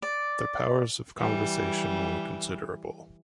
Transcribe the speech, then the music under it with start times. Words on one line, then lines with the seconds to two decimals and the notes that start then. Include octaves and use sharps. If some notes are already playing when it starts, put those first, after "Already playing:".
Their powers of conversation were considerable.
0.02 D5
1.19 E3 G3